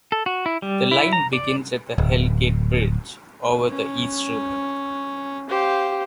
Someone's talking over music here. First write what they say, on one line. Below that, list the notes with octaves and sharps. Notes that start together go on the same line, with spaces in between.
The line begins at the Hell Gate Bridge over the East River.
A4
F#4
E4
G3
E4
A#5
D5
D1
C#4
G4 C5 F5